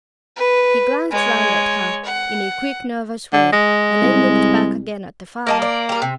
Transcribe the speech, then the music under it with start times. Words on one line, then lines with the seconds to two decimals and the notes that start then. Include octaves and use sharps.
He glanced round at her in a quick nervous way, and then looked back again at the fire.
0.36 B4
1.11 G#3 C#5
2.05 F#5
3.33 D3
3.52 G#3
4.02 C2
5.47 A#3 A#4 D#5 A5
5.62 D5
5.89 G3 A#4
6.02 C3